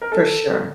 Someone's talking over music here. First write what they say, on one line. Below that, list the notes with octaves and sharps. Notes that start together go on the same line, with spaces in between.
For sure.
A#4
A4